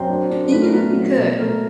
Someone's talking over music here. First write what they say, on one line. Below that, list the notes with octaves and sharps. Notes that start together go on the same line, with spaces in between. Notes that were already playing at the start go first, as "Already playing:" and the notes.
Even if you could,
Already playing: F#2 C4 A#4 C5
D4
D4
A3 B4
A#4
B3 F#4 B4
F#3
B2
A3 A#3 A#4